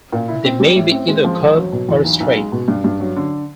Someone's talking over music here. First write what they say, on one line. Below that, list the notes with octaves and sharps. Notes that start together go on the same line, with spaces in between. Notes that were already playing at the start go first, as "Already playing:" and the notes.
They may be either curved or straight.
A#2
E4
C4
G3
A2
C4
G#3
F3
E1
F#3
B2
E2
B1
B1
G#3
B2
G2
G2
F#3
D3